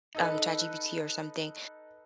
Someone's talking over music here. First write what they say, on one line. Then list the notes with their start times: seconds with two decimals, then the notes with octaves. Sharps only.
um, ChatGPT or something,
0.15 D#4 A4 B4